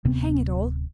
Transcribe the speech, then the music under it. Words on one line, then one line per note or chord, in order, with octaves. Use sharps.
Hang it all!
D1 C3 B3 C4